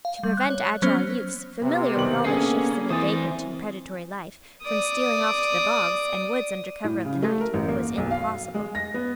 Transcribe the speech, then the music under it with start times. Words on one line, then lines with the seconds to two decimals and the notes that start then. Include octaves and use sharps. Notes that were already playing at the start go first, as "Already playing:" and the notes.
To prevent agile youths, familiar with all the shifts of a vagrant and predatory life, from stealing off to the bogs, and woods under cover of the night, was impossible.
0.05 F5
0.23 G3
0.37 F#6
0.50 C#5
0.82 F#3 A#3 B3 C#4 C5 F6
1.62 C3 B3
1.95 B2 D#3 F#7
2.25 D3 A#3 C#4 G#4 C7
2.91 E3 C4 C5 G#5 D#6 A6
4.63 D5 D#6
6.84 A2
7.05 C#3
7.23 A3
7.41 A#4
7.54 A1
7.68 A#3
7.97 B1
8.11 F5
8.54 G#3
8.75 A#6
8.94 B3